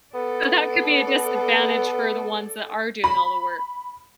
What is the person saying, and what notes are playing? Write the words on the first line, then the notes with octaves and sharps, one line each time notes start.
So that could be a disadvantage for the ones that are doing all the work.
B3 A4 D5
B5